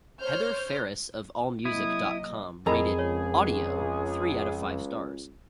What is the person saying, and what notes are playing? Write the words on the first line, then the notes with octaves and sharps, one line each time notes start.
Heather Phares of Allmusic dot com rated "Audio" three out of five stars.
C5 C#5 F6 G6
C3 F#3 A#3 E4 D#5 D#6
F2 G#4 A#4 D#5 A#5 B5
C#2 C#5